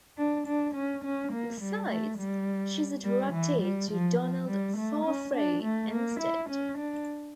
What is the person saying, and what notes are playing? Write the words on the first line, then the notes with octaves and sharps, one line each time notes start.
Besides, she's attracted to Donald Farfrae instead.
D4
D4
C#4
C#4
A#3
G3
A3
G3
G3
E3
G3
F3
F3
G3
A3
C#4
D4
A3
A#3
E4
C#4
D4